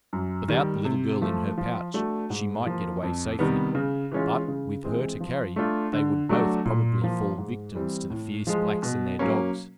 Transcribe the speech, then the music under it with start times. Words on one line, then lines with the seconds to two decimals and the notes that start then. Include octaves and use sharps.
Without the little girl in her pouch, she might get away safely; but, with her to carry, they would both probably fall victims to the fierce Blacks and their dogs.
0.13 F#2
0.48 D#3 G3
0.85 C3
1.21 F3 A3
1.58 F3
1.94 A3 D4 F#4
2.30 G#2
2.66 F3 A#3
3.03 F2
3.39 C3 D#3 G3 B3
3.75 C#3
4.12 E3 G#3 C#4 F4
4.48 C#3
4.84 E3 G#3 C4
5.20 F3
5.56 A3 D4 F4
5.93 D3
6.29 F#3 A3 D4 F#4
6.65 A#2
7.01 F3 A#3
7.38 G#2
7.74 E3 G3 C4
8.10 A2
8.47 F3 G#3
8.83 B2
9.19 F#3 A#3 C#4